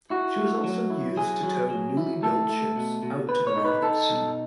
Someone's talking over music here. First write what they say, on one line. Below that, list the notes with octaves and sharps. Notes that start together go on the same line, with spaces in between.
She was also used to tow newly built ships out to the North Sea.
E4 F#4
A3
F#3
E4
F#3 G#4
F#3
F#3
E4
A3 A4
A3
B2
B2
B2 B4
C#5
D#4
B4
D#4 A4
B2